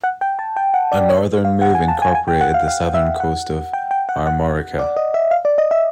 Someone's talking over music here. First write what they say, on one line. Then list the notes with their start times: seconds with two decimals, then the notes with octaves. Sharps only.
A northern move incorporated the southern coast of Armorica.
0.04 F#5
0.21 G5
0.39 A5
0.56 G5
0.74 F#5
0.92 D5
1.09 C#5
1.45 F5
1.62 F#5
1.75 G#5
1.88 A5
2.02 G#5
2.15 G#5
2.28 G5
2.41 F#5
2.54 F5
2.68 F5
2.94 E5
3.20 F#5
3.73 G5
3.91 G5
4.09 F#5
4.26 F#5
4.79 D5
4.96 D#5
5.14 E5
5.31 F5
5.45 D5
5.58 D#5
5.71 E5